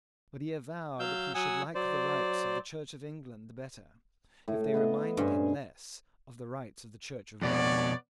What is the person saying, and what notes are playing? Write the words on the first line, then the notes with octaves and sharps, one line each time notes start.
But he avowed that he should like the rites of the Church of England better if they reminded him less of the rites of the Church of Rome.
F#3 F5 E6 G6
F#3 F#5 G#5 D#6 E6
F#3 C5 D5
A2
B3 D#5 F5
G2 C#4 C5 G#5
F2 B2 B3 C#5 D5